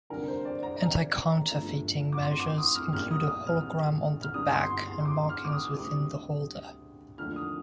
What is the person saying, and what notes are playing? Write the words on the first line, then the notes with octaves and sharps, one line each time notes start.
Anti-counterfeiting measures include a hologram on the back and markings within the holder.
F1 F2 D3 G3 A#4
C5
D5
A#5
G1 G2 F3 A3
D6
C6
D6
D#6
F6
A#1 A#2 G3 F6
D#6
D#6
F6
F6
G1 G2 D3 G3 D#6
C6
C6
C6
C6
D6
F6
D6
D#6
D2 C3 G3 D#6
D#2 D3 F3 A3 F6
D#6